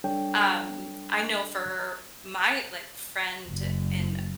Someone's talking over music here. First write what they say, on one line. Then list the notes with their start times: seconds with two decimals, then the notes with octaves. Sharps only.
Um, I know for my, like, friend in
0.04 G3 D4 A4 C#5 G5
3.48 F#1